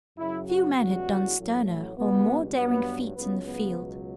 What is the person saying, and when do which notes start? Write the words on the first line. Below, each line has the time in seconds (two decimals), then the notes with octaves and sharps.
Few men had done sterner or more daring feats in the field.
0.17 F#2 C#3 F#3 E4
0.47 F#4
0.78 E2 C#3 E3 G3 F#4
1.37 A1 A2 F#3
1.66 A3
1.96 C#2 B2 G3 B3
2.56 G2 F#3 B3
3.15 C#2 C#3 F#3 B3
3.45 B3
3.75 C#2 B2 F#3